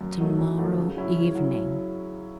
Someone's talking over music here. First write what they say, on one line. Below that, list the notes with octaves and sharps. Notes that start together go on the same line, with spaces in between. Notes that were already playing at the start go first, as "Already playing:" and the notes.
To-morrow evening!
F#2
D#3 F#3 A3
F#2
D#3 F#3 A3
C#3
F#3 C#4 E4
C#3
F#3 C#4 E4